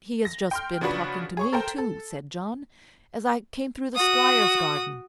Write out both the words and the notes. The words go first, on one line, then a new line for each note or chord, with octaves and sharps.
"He has just been talking to me, too," said John, "as I came through the squire's garden."
A#6
G5 C6 F6
C#3 F3 D4 F#4 B4
G#4 C#5 C#6
A4 A#4 C5 G5
A4
F#4 D#6